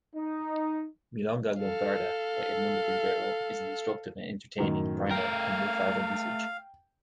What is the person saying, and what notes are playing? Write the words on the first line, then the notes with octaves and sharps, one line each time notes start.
"Milonga Lunfarda" by Edmundo Rivero is an instructive and entertaining primer on lunfardo usage.
D#4
A4 F5
F#2 A2 D#3
A3 A#4 F5 G5